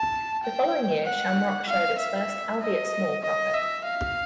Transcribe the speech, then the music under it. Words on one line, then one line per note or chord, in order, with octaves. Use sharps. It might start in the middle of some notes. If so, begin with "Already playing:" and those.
The following year Shamrock showed its first, albeit small, profit.
Already playing: A5
G5
F#5
F5
E5
D#5
D#5
E5
F5